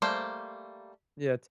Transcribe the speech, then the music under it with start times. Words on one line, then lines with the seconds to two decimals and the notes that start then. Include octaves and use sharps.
Yeah, t
0.02 G3 A3 A#3 C5